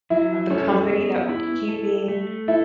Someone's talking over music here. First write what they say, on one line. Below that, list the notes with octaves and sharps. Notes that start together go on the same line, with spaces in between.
of the company that we're keeping.
F#3 E4
C#4 A4
B3
E4
A4
A3
E4 A4